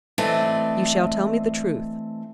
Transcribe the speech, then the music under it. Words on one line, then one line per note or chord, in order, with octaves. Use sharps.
"You shall tell me the truth."
E3 A3 C4 D5 D#5